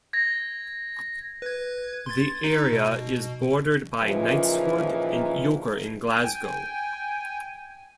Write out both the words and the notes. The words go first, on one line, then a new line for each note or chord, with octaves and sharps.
The area is bordered by Knightswood and Yoker in Glasgow.
G#6 A#6
B4 G#6
C6 G#6 A6
D#4
B2
D#2 A#2 C#3 E3 F3
G5 G#5